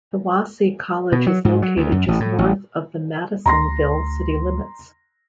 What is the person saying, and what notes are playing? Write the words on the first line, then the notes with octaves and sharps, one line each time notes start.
Hiwassee College is located just north of the Madisonville city limits.
B2
F#3
G#2
F#3
D2
F#2
A1
A2
A1
D2 A#5 C6 A#6